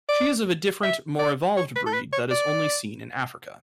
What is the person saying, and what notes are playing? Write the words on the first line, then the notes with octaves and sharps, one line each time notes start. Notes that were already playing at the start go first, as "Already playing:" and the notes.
She is of a different, more evolved breed that is only seen in Africa.
D5
E5
D5
C#5
B4
A4
B4
C#5
D5